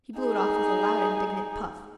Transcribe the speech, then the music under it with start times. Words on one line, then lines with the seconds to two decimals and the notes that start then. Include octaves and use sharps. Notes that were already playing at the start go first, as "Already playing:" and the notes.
He blew it off with a loud, indignant puff.
0.20 D#4 G#4